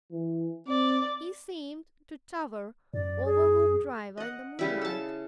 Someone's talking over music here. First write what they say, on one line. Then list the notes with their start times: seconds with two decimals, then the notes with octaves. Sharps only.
He seemed to tower over Hoopdriver in the moonlight.
0.12 E3
0.68 C4 D5
2.94 F#2 D5
3.25 G#4
4.17 D#5 F#5
4.59 C#3 G3 E4
4.81 A4 A5